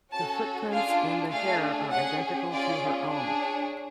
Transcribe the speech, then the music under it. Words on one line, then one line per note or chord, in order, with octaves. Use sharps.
The footprints and the hair are identical to her own.
C#4 F#4 A4 A5
D4 F4 G#4 F5
A3 D4 G#4 F5
C#4 G#4 F#5
C#4 F4 G#4 D5
D4 G#4
C#5